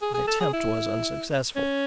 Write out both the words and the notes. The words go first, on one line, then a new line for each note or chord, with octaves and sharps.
My attempt was unsuccessful.
G#4
G#4
A4
G#4
E4
C#4